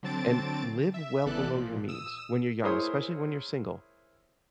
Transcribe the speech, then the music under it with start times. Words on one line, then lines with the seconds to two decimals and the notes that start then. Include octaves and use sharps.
and live well below your means when you're young, especially when you're single
0.03 D3 F#3 C4 A5 A6 D7
0.94 E5
1.25 A1 E3 B3 A4 D5 F#6
1.50 A#2 F3
1.88 D#6 E6
2.63 E4 G#4 A#4 C5 C#5 D#6